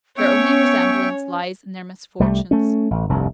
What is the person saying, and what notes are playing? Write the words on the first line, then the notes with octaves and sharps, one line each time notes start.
Their only resemblance lies in their misfortunes.
B3 C#4 C#5 E5 G5 C#6
C2 G3 A3
A3 C#4
A1
F1 C2 G2